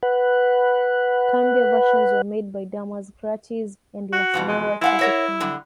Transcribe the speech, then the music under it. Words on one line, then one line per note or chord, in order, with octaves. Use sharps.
Cumbia versions were made by Damas Gratis and La Sonora Tropicana.
B4 F#5
F#4
F2 B2 E3
G#3
G#3 E4 F5 F#5
A#4 C#5 E5
D3 G3